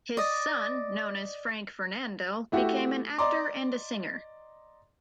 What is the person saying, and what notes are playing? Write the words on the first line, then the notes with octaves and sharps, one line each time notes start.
His son, known as Franck Fernandel, became an actor and a singer.
D5 D#5
A3 E4 F#4 G4
D5 D#5 A#5 C6 D6